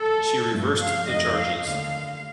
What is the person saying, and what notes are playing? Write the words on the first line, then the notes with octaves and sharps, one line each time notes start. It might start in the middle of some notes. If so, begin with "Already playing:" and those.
She reversed the charges.
Already playing: A4
G2 F3 A3
F5
F2 D#3 A3 D#5
F5
D#2 D3 A3